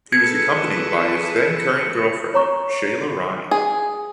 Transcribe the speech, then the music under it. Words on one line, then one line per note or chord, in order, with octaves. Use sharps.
He was accompanied by his then-current girlfriend, Sheila Ryan.
G#4 A4 B4 G#6 C#7
C#5 A#5 C#6
G#4